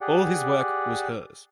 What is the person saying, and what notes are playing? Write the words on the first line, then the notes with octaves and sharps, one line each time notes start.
All his work was hers.
G4 G#4 D5 F#5